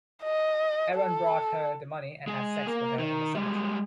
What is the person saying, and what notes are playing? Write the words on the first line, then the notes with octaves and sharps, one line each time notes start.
Aaron brought her the money and had sex with her in the cemetery.
D#5
A4
G#3 G#4
A#3
D#3
G3 G#3